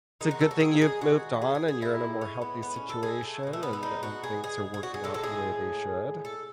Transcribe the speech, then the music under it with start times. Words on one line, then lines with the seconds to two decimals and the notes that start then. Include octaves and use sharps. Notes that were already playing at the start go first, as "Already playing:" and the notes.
it's a good thing you've moved on and you're in a more healthy situation and and things are working out the way they should.
0.21 D#3 G#3 D#4
0.31 F#4
0.41 A4
0.51 F#4
0.60 G#4
0.82 G#4
1.01 F#4
1.42 G#4
1.55 G#4
1.68 G#4
1.82 A2 G#3 E4
2.21 C#4
2.41 B3
2.63 B3
2.76 C#4
2.89 A4
3.03 G#4
3.23 A3
3.43 B2 G#3
3.53 A3
3.63 B3
3.73 B3
3.83 D#4
4.03 F#4
4.23 G#4
4.44 G#4
4.74 G#4
4.83 F#4
4.94 G#4
5.04 A2 G#3 A4
5.14 A4
5.24 G#4
6.25 A4